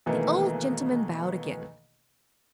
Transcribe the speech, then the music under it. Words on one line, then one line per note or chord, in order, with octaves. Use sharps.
The old gentleman bowed again.
B1 B2 D#3 E3 A3 A#3